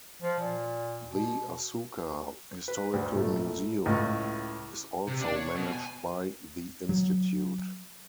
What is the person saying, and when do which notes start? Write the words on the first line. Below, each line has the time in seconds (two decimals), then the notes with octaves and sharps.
The Asuka Historical Museum is also managed by the institute.
0.22 F3
0.40 A#2
1.08 B2
2.68 B4
2.93 D2
3.15 A#1 A3
3.86 C#2 A2
5.07 C3
5.21 D4
5.36 C#5
5.55 B2
5.72 G#5
6.89 F#3